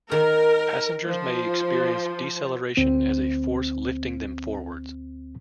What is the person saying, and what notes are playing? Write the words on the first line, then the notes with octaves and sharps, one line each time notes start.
Passengers may experience deceleration as a force lifting them forwards.
D#3 A#4
F3
D2 C4